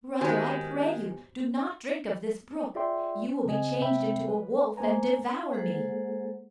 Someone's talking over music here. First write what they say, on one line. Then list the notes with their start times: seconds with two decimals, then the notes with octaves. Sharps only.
"Brother, I pray you, do not drink of this brook; you will be changed into a wolf, and devour me."
0.21 D#3 G#3 B3 F#4 G4 C5 G#5 B5
2.75 F4 G#4 D5 E5 G5 C6
3.45 C#3 C4 G#4 D#5 G#5
3.81 C3 C4 E5 G5 B5
4.28 B4
4.77 A#3 B3 C5 G#5 A#5
5.52 G#3 A#3 G#4 A4 C5 F#5